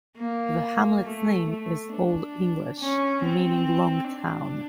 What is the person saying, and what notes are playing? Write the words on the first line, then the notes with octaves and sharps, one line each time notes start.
The hamlet's name is Old English, meaning "long town".
A#3
A3
A3
D4
C#4
C4
D4